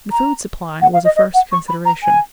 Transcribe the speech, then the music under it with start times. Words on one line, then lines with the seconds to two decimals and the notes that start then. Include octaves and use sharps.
The food supply was a first consideration.
0.12 A#5
0.81 F#5
0.93 F5
1.04 D#5
1.16 D#5
1.34 F#5
1.52 C#6
1.68 B5
1.85 A#5
2.03 G#5